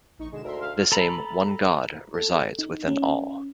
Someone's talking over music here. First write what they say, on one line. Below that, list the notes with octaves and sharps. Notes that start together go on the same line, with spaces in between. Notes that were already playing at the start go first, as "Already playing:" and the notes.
The same "One God resides within all".
A#1 D#4 C#6
B2 D3 G#3 E7
D2 A#4 E5 C6
F5
A4 A#5 B5
A4
D#4
C#4